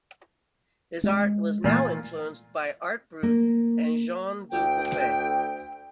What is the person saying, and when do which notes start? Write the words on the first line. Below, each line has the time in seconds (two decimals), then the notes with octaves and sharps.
His art was now influenced by art brut and Jean Dubuffet.
1.03 G#3
1.64 A#2 E3 F#3 A3 F4
3.23 A#3
4.52 D2 G5